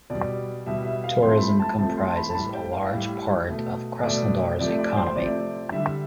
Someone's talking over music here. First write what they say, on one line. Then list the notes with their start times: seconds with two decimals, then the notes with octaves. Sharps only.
Tourism comprises a large part of Krasnodar's economy.
0.10 B2 G3 D5
0.66 B2 G3 E5
0.85 E5
1.04 F5
1.22 C3 F3 A3 C6
1.41 B5
1.60 A5
1.78 C3 F3 A3 A5
1.97 C6
2.08 A5
2.16 B5
2.30 A5
2.34 A2 G3 B5
2.54 G5
2.72 F5
2.91 A2 G3
3.48 B2 A3
4.03 B2 A3 D5
4.60 C3 F3 A3 D5
4.79 D5
4.97 C5
5.16 C3 F3 A3 D5
5.72 D3 G3 E5